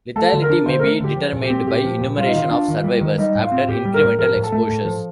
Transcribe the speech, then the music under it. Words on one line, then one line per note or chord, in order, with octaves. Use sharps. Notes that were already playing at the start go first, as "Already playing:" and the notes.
Lethality may be determined by enumeration of survivors after incremental exposures.
A3 A4
D3
A#4
D4
D3 C5
A#4
A3
D3 G4
F3
A#2
G4
C4
A#2 G4
F3
A#2
G3 F4
D#4
D#3 F4
D4
D#3
G3
D#3
G3 D#4
A2
F4
C4
A2 G4
G3
A#4
A2
F3 A#4
A2
A4
A3
A2
F3